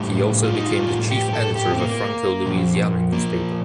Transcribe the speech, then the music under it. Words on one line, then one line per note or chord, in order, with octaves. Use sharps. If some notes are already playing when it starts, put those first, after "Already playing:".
He also became the chief editor of a Franco-Louisiana newspaper.
Already playing: A2 G3
F4
D#4
F4
G4
A4
G4
C4
A#3
A#2 F3
A#3